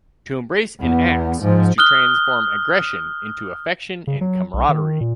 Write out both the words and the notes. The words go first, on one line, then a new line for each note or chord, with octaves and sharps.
To embrace an axe is to transform aggression into affection and camaraderie.
E2 B3
G#2 F3
D#6 F6 F#6 G7
C#3
F#3
B1
D#3
A#2